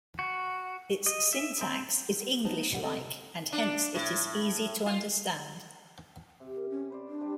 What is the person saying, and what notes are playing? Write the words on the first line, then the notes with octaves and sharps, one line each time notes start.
Its syntax is English-like and hence it is easy to understand.
F#4
D#5
E5
C4
B3 D#4 C5 A5
D#2 B2 D3 G3 F#5
C4 A4 D#5
C3
D4
A2
F4
C3
A#4
C#4
B4 C5 D5
D4
G3 G4 C5